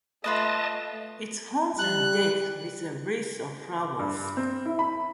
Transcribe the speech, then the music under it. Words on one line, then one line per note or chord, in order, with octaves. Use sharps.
Its horns are decked with a wreath of flowers.
A3 F4 B4 D#5 A5 D#6
G3 F#6
D6
G2
C4
E4
B5